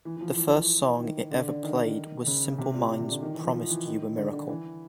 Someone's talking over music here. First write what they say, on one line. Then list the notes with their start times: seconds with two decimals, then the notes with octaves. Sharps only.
The first song it ever played was Simple Minds' "Promised You a Miracle".
0.05 E3
0.17 E3
0.21 F3
0.37 E3
1.00 D#3
1.31 D3
1.48 D3
1.63 D#3
2.27 C#3
2.58 C3
2.74 A#2
3.00 C3
3.11 D3
3.22 D#3
3.33 E3
3.44 F3
3.54 F3
3.70 E3
3.86 D#3
4.17 D3
4.32 D3
4.49 E3